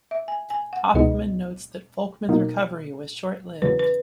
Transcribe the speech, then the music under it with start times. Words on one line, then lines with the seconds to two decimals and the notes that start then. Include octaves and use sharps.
Hoffman notes that Folkman's recovery was short-lived.
0.11 E5
0.28 G#5
0.50 G#5
0.73 F#5
0.94 C#2 B2 G#3 B3 D#4 D#5
2.28 B2 A#3 D#4
3.62 E2 C#3 F#3 B4
3.79 B4